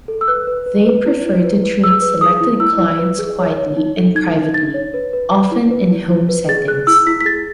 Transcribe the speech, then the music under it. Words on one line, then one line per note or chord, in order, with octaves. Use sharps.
They prefer to treat selected clients quietly and privately, often in home settings.
A4
E6
B4 F#6
B4
B4
B4
E4
E4
B4
B4
G#4 E6
B4
G#4 D#6
E4
E4 E6
E4
B4
G#4
C#5
C#5
D#4
A4
D#4 G#6
D#4
D#4 A6
C#5
B4
B4
B4
E4
B4
E4
E4
B4
G#4 A6
G#4 F#6
E4 E6
E4 B6
B6
G#4 A6